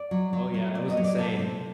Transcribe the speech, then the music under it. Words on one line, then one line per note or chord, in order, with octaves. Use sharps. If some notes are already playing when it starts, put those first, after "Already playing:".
Oh yeah, it was insane.
Already playing: D5
F#3
F#3
F#3
C3 D5
D#5
F#3
D5
C3 A4
C3